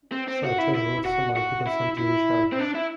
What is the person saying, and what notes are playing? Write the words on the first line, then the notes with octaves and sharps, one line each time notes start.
Shachar wrote some articles on Jewish art.
C4
C4
F#4
E4
E4
F#4
F#4
E4
E4
C4
D4
E4